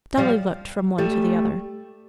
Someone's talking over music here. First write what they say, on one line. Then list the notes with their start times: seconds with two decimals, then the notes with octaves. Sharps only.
Dolly looked from one to the other.
0.17 F3 G3
0.98 G3 A3